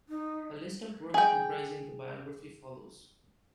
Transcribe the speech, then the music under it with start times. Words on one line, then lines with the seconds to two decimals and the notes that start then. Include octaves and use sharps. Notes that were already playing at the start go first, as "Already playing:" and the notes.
A list of works comprising the "Biography" follows.
0.09 D#4
1.14 G#4 G5